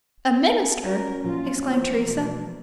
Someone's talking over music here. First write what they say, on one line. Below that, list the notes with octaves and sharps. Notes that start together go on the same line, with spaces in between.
"A minister!" exclaimed Teresa.
C#4 F#4 A#4
A#2 F3 F#3 F4
E3 F3 A3 A#3 C5 E6
B2